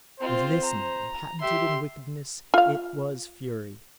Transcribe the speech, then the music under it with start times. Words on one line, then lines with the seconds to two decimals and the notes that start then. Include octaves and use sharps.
With this man, patented in wickedness, it was fury.
0.20 C4 F4 C5
0.64 A#5
1.41 G4 E5 C6
2.54 F4 F5